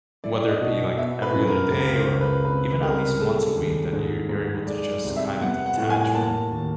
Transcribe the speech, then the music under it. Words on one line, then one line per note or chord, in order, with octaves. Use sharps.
whether it be, like, every other day or even at least once a week that you're you're able to just kind of detach from
E4 D5
D#5
B2
B3 E5
B4
F#2
A#4
C#2 A#4
C5
C#2
B4
C4 B4
C2 A#4
G#3 A4
D#2
G#2
G#2
G#3 D5
C2
E5
B3 F#5
F#5
A2
G#5
A#3 A5
D#2